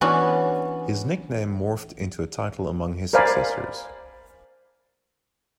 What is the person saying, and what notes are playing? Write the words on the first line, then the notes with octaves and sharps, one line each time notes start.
His nickname morphed into a title among his successors.
E3 B3 C#4 D4 F#4
A#4 C5 D5 F5 G#5 B5